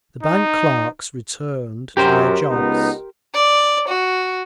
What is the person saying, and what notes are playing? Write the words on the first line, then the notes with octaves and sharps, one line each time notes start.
The bank clerks returned to their jobs....
D#4
F#2 G4 A#4 C5
C#2 B3 D#4
D5
F#4